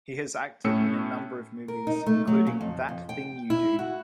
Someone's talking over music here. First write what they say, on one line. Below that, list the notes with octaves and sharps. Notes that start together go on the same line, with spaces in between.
He has acted in a number of movies, including That Thing You Do!
A2 A3 C#4 E6 C#7
A#4
D#4
A3
F#3
C#3
F2
F2
G5
E4
F#4